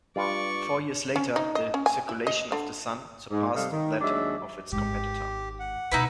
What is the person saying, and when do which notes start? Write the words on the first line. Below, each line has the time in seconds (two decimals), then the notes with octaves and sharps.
Four years later, the circulation of the "Sun" surpassed that of its competitor.
0.16 G2 F4 B4 D5 C#6
1.16 C#4
1.36 D#4
1.55 D#5
1.74 C#4
1.86 G#5
2.09 E4
2.27 D#5
2.52 D3
3.31 G#2
3.54 C3 G3 A4 D#5 F5
3.71 D#3
4.01 D#2 F#3 G#3 D4 E5
4.72 G#1 G#2 G4
5.60 F#5
5.91 D2 B2 D#4 E4 B4